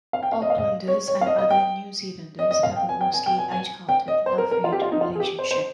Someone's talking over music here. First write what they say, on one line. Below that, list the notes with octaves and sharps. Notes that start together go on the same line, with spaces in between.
Aucklanders and other New Zealanders have a mostly light-hearted "love-hate" relationship.
F5
G5
F5
D#5
F5
D#5
C#5
C#5
F5
D#5
D#5
G5
D#5
D#5
F5
G5
G#5
G5
G#5
G5
G#5
G#5
G5
D#5
C5
A#4
A#4
F4
G4
F4
D#4
F4
G#4
G4
C5
C5